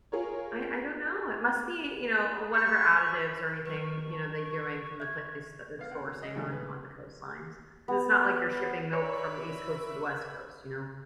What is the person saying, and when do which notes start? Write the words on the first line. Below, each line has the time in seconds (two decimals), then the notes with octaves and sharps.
I I don't know, it must be, you know, whatever additives or anything, you know, they doing from the place that they're sourcing on on the coastlines, 'cause it's not like you're shipping milk from the East Coast to the West Coast, you know.
0.12 F4 G#4 A#4 C#5
2.55 B5 C#6
3.66 D#3 F#3 C#4 B4 C#6
4.09 A5
5.00 E5 G#6
5.79 B3 F5
5.91 C4 F#5
6.04 F#3
6.22 D#5
6.35 A#2 D3 D#3 G3 A3
6.52 B4
7.88 B3
8.93 A#4 B4 C#5 D5 E5